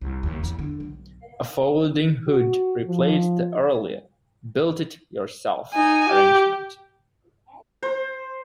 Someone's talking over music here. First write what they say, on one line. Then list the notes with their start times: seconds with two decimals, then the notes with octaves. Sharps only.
A folding hood replaced the earlier "build it yourself" arrangement.
0.01 C2
0.23 D#2
0.43 E2
0.59 D3
0.80 B1
2.27 F#4
2.86 F3
5.74 D#4 G#5
6.10 G4
7.83 C5